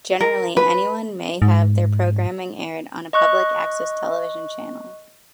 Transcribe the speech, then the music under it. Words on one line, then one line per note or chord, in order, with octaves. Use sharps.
Generally, anyone may have their programming aired on a public-access television channel.
A#4
B4
G#2
D#5 C#6 F#6